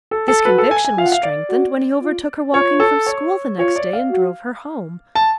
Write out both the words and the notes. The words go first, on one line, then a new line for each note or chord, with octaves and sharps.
This conviction was strengthened when he overtook her walking from school the next day and drove her home.
A4
A4
F#4 B4
A4
G#5
G#5
F4 F5
F#5
F5
D5
F#4
F4
F4 C#5
A4
C#5
F4 C#5
D5
F5
F#4
A5